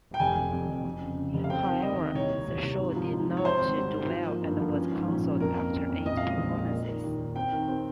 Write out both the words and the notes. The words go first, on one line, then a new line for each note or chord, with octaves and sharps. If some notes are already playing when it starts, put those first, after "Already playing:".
However, the show did not do well and was cancelled after eight performances.
G5
F1 G#5
F1
F2
F1
F2
C#3
C#3
F1
F5
C4 G5
D#3
D#3 D#5
D#2
C2 C#5
C2
C2
C3
G#2
F3
G#2
C4
C#5
C4 C5
G#1
G3
G#2
F3
A#3
G2
F3
C#4
G#2
A#1
C#4
F2 A#4
A#3
C#4
F2
A#1 D#5
G#3 F5
D#5
A#1
A#2
A#3
D#3
D#2
D#3
C4 G5
D#3
C4